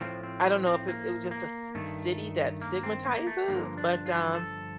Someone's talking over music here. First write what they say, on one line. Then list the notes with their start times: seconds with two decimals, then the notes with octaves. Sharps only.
I don't know if it it was just a c city that stigmatizes, but, um
0.01 A2 F3 C4
0.23 C4
0.45 C4
0.67 C4
0.88 A#3
1.31 A#3
1.75 G2 D#3 A3
2.61 A#3
2.83 C4
3.05 A#3
3.27 A3
3.48 G2 D3 F3 A#3
3.77 D4
4.06 F4
4.35 A4